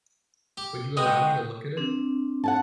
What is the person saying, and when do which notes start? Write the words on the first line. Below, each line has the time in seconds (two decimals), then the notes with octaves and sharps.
Would you allow me to look at it?
0.57 G4
0.97 G#3 B3 F#4 D#5 G5
1.77 C4 D4
2.44 F#5 G#5 A5